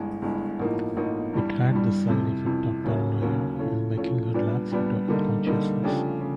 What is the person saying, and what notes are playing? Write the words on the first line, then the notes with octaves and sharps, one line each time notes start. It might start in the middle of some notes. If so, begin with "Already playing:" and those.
It had the side effect of paranoia and making her lapse into unconsciousness.
Already playing: G1 G2 E3 G#3
G1 G2 E3 G#3
A1 A2 F3 A#3 D#4
A1 A2 F3 A#3 D#4
G2 E3 G3
G2 E3 G3
F2 C3 E3
F2 C3 E3
D#2 C#3 F#3 A#3 C#4
D#2 C#3 F#3 A#3 C#4
A2 F3 A3 C#4 F4
A2 F3 A3 C#4 F4
A#2 G3 B3 D4
A#2 G3 B3 D4
D3 G3 A#3 D#4
D3 G3 A#3 D#4
C#3 F3 A3 D4 G4
C#3